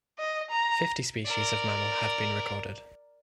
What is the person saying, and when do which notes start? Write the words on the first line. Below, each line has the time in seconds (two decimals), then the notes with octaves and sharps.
Fifty species of mammal have been recorded.
0.19 D#5
0.50 A#5
1.25 A#4 D5